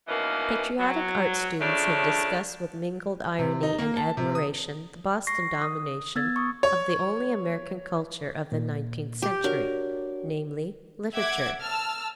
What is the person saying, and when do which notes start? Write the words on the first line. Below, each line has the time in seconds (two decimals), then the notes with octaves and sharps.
Patriotic art students have discussed with mingled irony and admiration the Boston domination of the only American culture of the nineteenth century, namely, literature.
0.08 B2 D#3 E3 A#3 C#4 D#5
0.79 F#3
1.60 C#3 F3 A3 C#4 D4
3.39 C3
3.63 D#4
3.78 A#3
3.96 A5
4.17 C3
4.35 D#6
5.27 C#6 A#6 C7
5.62 D#6
6.16 B3 E6 G#6 A6
6.36 C#6 D#6
6.63 C#5
8.52 A#2
9.22 G4
9.44 D4 F#4 A#4 C#5
11.14 E5 F#5 D6 G#6
11.63 A5 E6 F6